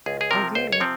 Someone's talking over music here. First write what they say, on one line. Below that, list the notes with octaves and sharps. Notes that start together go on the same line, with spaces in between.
They do.
C#2 G#4
G#4
C3 F3 C4 A#4
C#2 C5
C#5
C3 F3 C4